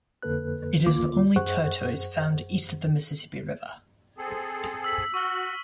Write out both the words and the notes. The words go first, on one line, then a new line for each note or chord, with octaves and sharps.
It is the only tortoise found east of the Mississippi River.
F2 D3 A#3 A4 B4 F#6
D2 D3 A#3 F4 D6
F#2 G#4 C5 F#5 C#6 F#6
C4 G#4 A4
E6 B6 F#7
F#4 C#6 E6 F6